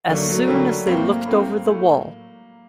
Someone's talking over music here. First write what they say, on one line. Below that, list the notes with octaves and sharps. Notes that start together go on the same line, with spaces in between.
As soon as they looked over the wall.
D3 F#3 A3 A#3 D4
F#3
D3 F#3 G3 A#3 D4
A2 A3 A#3 C4
A2 A3 C4
A2 A3